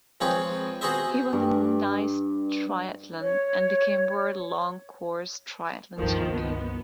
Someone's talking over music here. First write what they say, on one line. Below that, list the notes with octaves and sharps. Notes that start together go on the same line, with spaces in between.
He won the Nice Triathlon and became World Long Course Triathlon Champion.
F3 G#3 C4 B4 C#5
B3 F#4 G#4 C5 D#5 E5
G2
C#5
C#2 G2 D#3 F3
B3